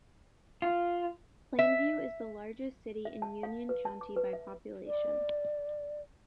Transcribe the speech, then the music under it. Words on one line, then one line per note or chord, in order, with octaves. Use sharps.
Plainview is the largest city in Union County by population.
F4
E5
E5
A5
F5
B4
A5
D6
B4
E5
D5